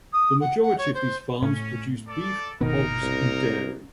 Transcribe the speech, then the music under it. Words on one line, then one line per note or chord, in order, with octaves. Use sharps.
The majority of these farms produce beef, hogs, and dairy.
D#6
F#5
F#5
C#5
C5
A2 C#4
A4 D5
G1 B2 D#3 A#3 B3 D#4 A#4
C2